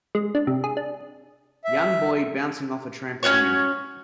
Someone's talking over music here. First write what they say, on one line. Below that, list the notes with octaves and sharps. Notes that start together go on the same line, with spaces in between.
Young boy bouncing off a trampoline.
G#3
D4
C3
G#4
D4
E5
C#4 F4 F#4 C#5